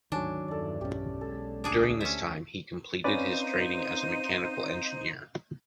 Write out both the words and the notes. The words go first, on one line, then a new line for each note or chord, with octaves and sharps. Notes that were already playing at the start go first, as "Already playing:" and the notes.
During this time, he completed his training as a mechanical engineer.
D2 G#2 D#3 F#3 C#4 D4
E2 G2 A4 D5
B1 C#4 G4
G#3 A4
D2 D4 G#4 D5
C#4 C5 E5
C4 C#4 D#4 B4 C5 D5 F5 D#7